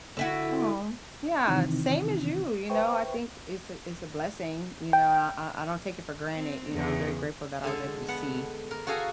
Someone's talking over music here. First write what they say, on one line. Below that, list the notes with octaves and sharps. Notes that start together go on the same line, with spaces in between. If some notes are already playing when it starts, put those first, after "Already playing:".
Aw, yeah. Same as you, you know? I think it's a it's a blessing, you know, I I I don't take it for granted, you know, I'm very grateful that I was able to see
D3 E4 F#4
C3 D#3 E3 C4 D#4 E4
B4 C5 E5 G5 C#6
G5
C4
E2 C#3
D3 G#3 A4
B3 F#5
A#4
F#4 G#4 A4 F5 G#5 A#5